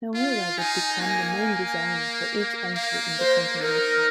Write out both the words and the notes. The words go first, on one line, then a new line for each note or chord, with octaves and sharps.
Nomura would become the main designer for each entry in the "Compilation".
F4 F5
D#4 G#5
A#3 G#5
A#3 F5
C5
D#4 A#4